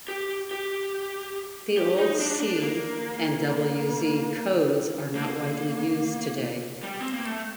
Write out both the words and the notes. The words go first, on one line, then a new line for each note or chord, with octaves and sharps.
The old C and W Z Codes are not widely used today.
G4
G4
G4
D#4
D4
D4
A#3
A#3
G3
C4
A#3
A3